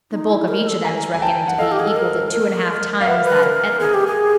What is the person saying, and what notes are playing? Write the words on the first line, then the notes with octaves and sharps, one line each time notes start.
The bulk of each of them is reckoned to be equal to two and a half times that of Etna.
D#4
E4
A#4
A4
G#5 A#5
G#5
G5 A5
F#5
A4 D#5 F5
G4
G#4
A4
A#4
A#4
F5
B4 E5 F#5
B4
A#4
G#4
G4
G#4